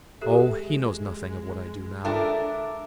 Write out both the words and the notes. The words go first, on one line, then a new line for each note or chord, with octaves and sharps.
"Oh, he knows nothing of what I do now."
G#3 G4 A4 E5
D4 F4 A4 A#4 E5 G5